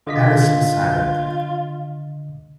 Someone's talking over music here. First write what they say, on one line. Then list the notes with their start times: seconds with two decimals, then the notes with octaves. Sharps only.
Alice was silent.
0.07 D3 F4 D#5 B6